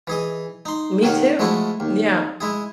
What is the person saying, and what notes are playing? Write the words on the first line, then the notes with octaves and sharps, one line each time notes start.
Me too. Yeah.
E3 G#4 D#5
D#4 C6
D#2 D#3 C#5 F5 F#5
F3 G#3 A3 E4 F#4
D#2
G#3 E4 G#4